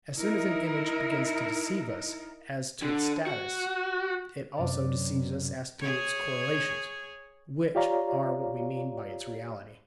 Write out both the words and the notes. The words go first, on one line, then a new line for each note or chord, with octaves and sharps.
As soon as an image begins to deceive us as to its status, it also deceives us as to its correlations, which are what we mean by its "reality."
D#4 E4 A#4
D3
F#4
F#2 C3 D5
G#4 C#5
F4 G4 C#5 D5 F5 A#5